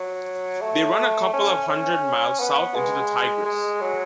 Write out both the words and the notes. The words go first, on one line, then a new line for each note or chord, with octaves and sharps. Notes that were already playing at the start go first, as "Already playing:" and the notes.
They run a couple of hundred miles south into the Tigris.
Already playing: F#3
A3
C#4
C#4
B3
G#3
G#3
F#3